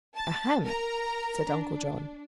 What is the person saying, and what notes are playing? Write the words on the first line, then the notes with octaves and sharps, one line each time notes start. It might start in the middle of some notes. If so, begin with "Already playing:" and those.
"Ahem!" said Uncle John.
A5 A6
A#4 A#5
D4